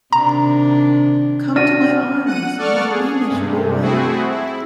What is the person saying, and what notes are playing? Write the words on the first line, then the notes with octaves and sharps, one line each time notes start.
Come to my arms, my beamish boy!
C3 D#3 D4 A#5
D4 F#4 F6 A#6 D#7
F#5 D#7
A4 D5 F#5 C#6 F6
G#4
G2 C3
A3 C4 E4 F#4 G#4
E4